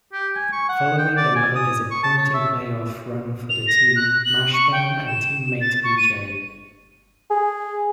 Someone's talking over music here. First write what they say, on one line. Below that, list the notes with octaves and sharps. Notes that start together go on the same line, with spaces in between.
Following another disappointing playoff run for the team, Mashburn and teammate P. J.
G4
G#5
C#6
F#5
G5
D5
G#5
D#6
C#6
A5
C#5
E5
F7
A#6
F#6
F#7
C#6
G5
E7
A6
C#6
D#7
G#4